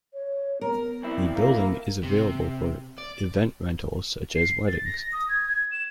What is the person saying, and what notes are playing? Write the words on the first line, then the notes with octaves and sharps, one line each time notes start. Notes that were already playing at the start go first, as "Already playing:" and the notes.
The building is available for event rentals, such as weddings.
C#5
B3 A#4
B1 C4 E4
A#3
C3
D5
C7
A6
A#6
D#6
G#6
G#6
E7